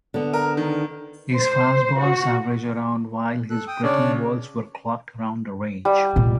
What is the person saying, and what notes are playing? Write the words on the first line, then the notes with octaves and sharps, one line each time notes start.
His fastballs average around while his breaking balls were clocked around the range.
D3 B3
A#4
D#3
C5
F#4
A4 F#6
G5 D#6
C#3 D4 C#5 D5
G3
A#2 G#3